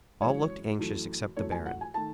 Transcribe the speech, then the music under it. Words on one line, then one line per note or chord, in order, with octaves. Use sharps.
All looked anxious except the baron.
F#2 E3 G#3 C#5
F#2 E3 A3
F#2 E3 A3 C#5
G#5
F#5
G#5
D#3 A3 A5